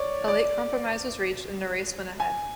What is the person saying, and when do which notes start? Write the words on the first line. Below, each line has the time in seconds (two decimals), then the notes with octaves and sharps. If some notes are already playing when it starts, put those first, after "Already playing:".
A late compromise was reached and the race went ahead.
Already playing: C#5 D5
0.28 D5
2.20 G#5